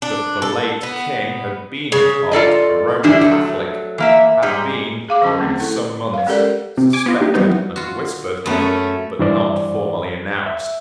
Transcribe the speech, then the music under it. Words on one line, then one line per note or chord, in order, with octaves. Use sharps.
That the late King had been at heart a Roman Catholic had been, during some months, suspected and whispered, but not formally announced.
D4
A4
B3
C#3
F4 A4 D5 D#5
D3 E3 G3 D4 E4
F#3 A3
E3 A#3 E5
G#2 G3 G#3
G#4 F5 D6
D3 F#3 C#4 A5
A3 C4
A3 E4 A4
B4 F5
G#3 C#4 G4 A4 A#4 D5
C3
G#5 D6
B3 F4 D#5
A#3 D#4 G4
E3 F#3 G3 B3 C4 D#4
F4 F#4
F#2 A3 B3 C#4
G2 E3 C5 D5
E5